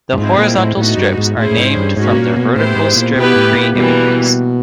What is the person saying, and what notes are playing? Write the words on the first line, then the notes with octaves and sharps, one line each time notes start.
The horizontal strips are named from their vertical strip pre-images.
G2
G#2 F3 G#3 C4 E4
A#2
A2
A2 B3 D#4 F#4
G2
G#2
A2 C#4 E4 G#4 C5
A2
G#2
G2
G#2 A#3 C#4 F#4
B2
A#2
B2
A2 B3 E4 G4 C5
G#2
A#2
B2 B3 E4 G4 B4
A2
A#2
B2 E3 G3 A#3